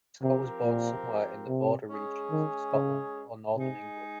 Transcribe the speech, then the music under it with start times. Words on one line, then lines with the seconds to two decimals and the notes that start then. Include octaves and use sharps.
Scot was born somewhere in the border regions of Scotland or northern England.
0.22 C3 F3 C4 G4 A#4
0.64 A#2
1.48 C3
1.89 G#3 C#4 G#4
2.31 D#3
2.73 C#3
3.56 C3 G#3 D#4 G#4